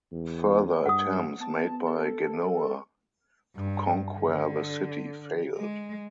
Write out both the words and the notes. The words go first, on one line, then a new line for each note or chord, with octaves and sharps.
Further attempts made by Genoa to conquer the city failed.
E2
G2 F#5 D#6
B3 A5
A4
G2
D3
G#3